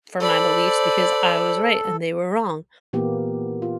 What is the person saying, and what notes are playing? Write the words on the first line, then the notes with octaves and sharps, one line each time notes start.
for my beliefs because I was right and they were wrong.
A4 C5 D5 B5
A#2 E3 A#3 B3 G4
F4